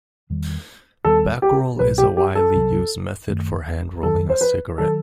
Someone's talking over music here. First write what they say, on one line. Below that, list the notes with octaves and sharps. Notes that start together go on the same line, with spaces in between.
Backroll is a widely used method for hand-rolling a cigarette.
E2 D#3 G3
D#2 D#3 G3 B3 A4
G4
C2 B2 F#3 B4
G4
G4
A4
C2 C3 F#3
F#2 D#3 A3
F#2 D#3 F#3 A4
C5
B4
D#3 F#3 A4